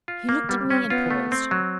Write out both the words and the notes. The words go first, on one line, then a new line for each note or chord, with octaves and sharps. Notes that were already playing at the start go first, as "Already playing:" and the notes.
He looked at me and paused.
F4
A#3
G3 B3
C4 C#4
B3 F4
A3
C4
F#3